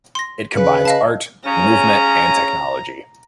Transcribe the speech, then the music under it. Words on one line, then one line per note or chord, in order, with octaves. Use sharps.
It combines art, movement, and technology.
C6 A#6
C#3 B4
D#5 F5 A5
C#3 C#4 A#5